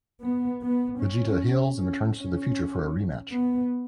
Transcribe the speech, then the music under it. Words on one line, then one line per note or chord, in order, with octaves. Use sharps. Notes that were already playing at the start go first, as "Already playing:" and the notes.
Vegeta heals and returns to the future for a rematch.
B3
B3
C#4
C#4
C#4
B3